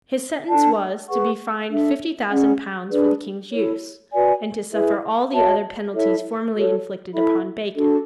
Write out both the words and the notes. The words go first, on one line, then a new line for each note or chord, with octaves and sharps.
His sentence was, to be fined fifty thousand pounds for the king's-use, and to suffer all the other penalties formerly inflicted upon Bacon.
D4 A4 D5 A5
G#4 B4 F#5 C#6
D4 A4 E5
C#4 G#4 D5 F#5
D4 G#4 B4 D5
E4 A4 C#5
F#4 B4 D5 G#5
E4 G#4 B4 E5
F#4 C#5 E5 A5
E4 A4 C#5 E5
F#4 A4 C#5
E4 A4 E5 B5
D4 F#4 A4